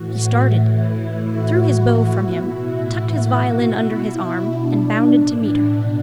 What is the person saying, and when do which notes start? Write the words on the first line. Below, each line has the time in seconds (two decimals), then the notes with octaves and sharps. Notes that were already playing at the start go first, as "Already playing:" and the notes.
He started, threw his bow from him, tucked his violin under his arm, and bounded to meet her.
Already playing: A2 E3 F#4
0.39 A2 E3
0.69 E4
0.98 A2 E3
1.28 F#4
1.56 A2 E3
1.85 E4
2.15 B2
2.44 F#4
2.73 A2 E3 E4
3.03 F#4
3.32 B2
3.61 E4
3.91 B2
4.49 B2 D4
5.08 A2 E3 D4
5.67 B2